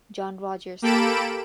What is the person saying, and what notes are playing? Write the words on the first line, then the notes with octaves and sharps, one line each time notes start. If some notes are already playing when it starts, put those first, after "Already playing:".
John Rogers.
A#3 G4 A4 B5 D7 E7